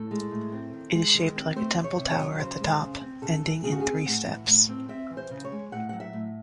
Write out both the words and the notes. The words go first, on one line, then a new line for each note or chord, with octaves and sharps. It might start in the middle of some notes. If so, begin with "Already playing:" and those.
It is shaped like a temple tower at the top, ending in three steps.
Already playing: A2 A4
G#3
A2
C4
D#3
G#3
D#3
C4
A3 C5
D#3
C#5
C3
C#5
F#3
C#3 C5
G#3
C#3
C4
C#3 A4
E3
C#3 G#4
F#4
G#4
C4
A2 F#5
E3
A2
C4
C4 E5
E3
C5
C#3
C#5
G#3
A2 F#5
F#3 F#5
E5
A2